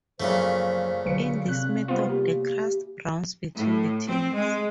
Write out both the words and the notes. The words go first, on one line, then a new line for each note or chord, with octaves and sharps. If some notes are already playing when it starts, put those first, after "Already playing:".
In this method, the crust browns between the tins.
F#2 A#2 C#3 F3 F#3 A3 C5
B1 D3 F#3 B4 C#7
C3 C4 F#6
G3 B3 F4 C5
A#3 G4
A2
C4
G#3